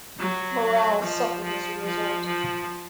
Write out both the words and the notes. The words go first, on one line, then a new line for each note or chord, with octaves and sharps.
Morale suffered as a result.
F#3
F3
F3
F3
F3